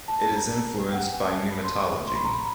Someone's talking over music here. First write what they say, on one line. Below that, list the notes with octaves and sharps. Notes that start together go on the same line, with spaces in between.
It is influenced by pneumatology.
A5
A5
A#5
G5
F#5
G5
G#5
A5
B5
C6
C#6
C6
B5
A#5
B5